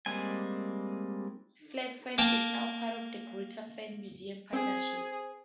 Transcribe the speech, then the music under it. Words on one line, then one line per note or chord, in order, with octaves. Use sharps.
Flag Fen is now part of the Greater Fens Museum Partnership.
G3 G#3 A#3 C4 G#5
A#3 G5 A5 C6
C4 G#4